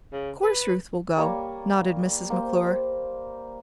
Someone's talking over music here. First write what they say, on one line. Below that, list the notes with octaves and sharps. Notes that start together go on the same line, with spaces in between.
"Of course Ruth will go," nodded Mrs. McClure.
C#3
B4
G3 A#3 C#5 A5
A#3 C5